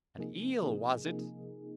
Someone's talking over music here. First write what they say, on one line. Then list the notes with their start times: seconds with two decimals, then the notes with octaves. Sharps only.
An eel, was it!
0.18 C3 F3 A#3 D#4 G#4
0.62 C3 F3 A#3 D#4 G#4
1.06 C3 F3 A#3 D#4 G#4